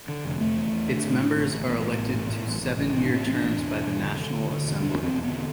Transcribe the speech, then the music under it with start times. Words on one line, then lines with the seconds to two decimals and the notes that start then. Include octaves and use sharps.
Its members are elected to seven-year terms by the National Assembly.
0.08 D3
0.25 F1
0.40 F1 A3
0.56 E2
0.72 E2
0.88 D3
1.04 A2
1.19 A2
1.35 A1
1.51 A1
1.66 A1 B3
1.82 A2
1.98 A1
2.14 A2
2.30 A2
2.45 A1
2.61 A1
2.77 A1
2.93 A1 C4
3.06 D4
3.09 A2
3.14 C4
3.24 A1 C4
3.34 D4
3.40 A1
3.56 E1
3.72 E1
3.87 E1
4.03 D3
4.19 D3
4.35 D2
4.50 D3
4.66 E1
4.82 E1 D4
4.98 E2 C4
5.14 E1
5.24 B3
5.29 D3